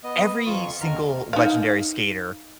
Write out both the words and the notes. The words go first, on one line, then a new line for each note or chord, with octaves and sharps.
every single legendary skater
B3 D#5
F2 F4 C#6
D#2 D3 D#3 A#4 F6
D#4 F5